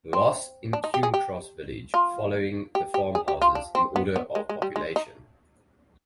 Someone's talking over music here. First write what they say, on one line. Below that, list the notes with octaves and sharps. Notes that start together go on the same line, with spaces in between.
Los Encuentros Village following the farmhouses in order of population.
C4
D4
D#4
G4
G#4
G4
F4
G4
G4
G#4
G4
F4
D4
C4
B3
B3
G#3
G#3
G3
G#3
D#4